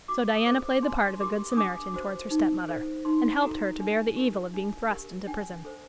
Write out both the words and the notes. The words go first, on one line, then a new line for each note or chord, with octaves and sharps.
So Diana played the part of a Good Samaritan towards her stepmother, and helped her to bear the evil of being thrust into prison.
F#4 D6
D#6
A4 C5 D6
D4 C6
C6
G4 A#4 D6
D#6
D4 D6
F#4 C5
D#4
A4 C5
D#4 C6
F#4 A4 A#5
D4
G4 A#4
D4
G4 A#4
D4 G5
A4 C5